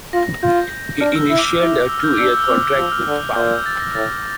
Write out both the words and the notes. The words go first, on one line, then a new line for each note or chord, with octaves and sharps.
He initialed a two-year contract with Pau.
F4 A#6
F4 G6
D4 F6
E6
E4 E6
D6
E4 D6
E6
F6
G6
D6
D4 E6
E6
C4 D6
E6
F3 E6
F6
D3
A#2 G6
A6
A#6
A2 A6